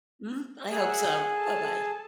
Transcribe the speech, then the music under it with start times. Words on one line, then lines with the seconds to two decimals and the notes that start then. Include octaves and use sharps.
Mm, I hope so. Bye-bye.
0.71 G#4 A#4 E5 F#5
1.36 A4 A5